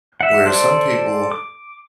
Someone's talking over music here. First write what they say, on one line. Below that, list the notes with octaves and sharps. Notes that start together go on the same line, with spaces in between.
where some people
E5 F#5
A4 C5 D5
D6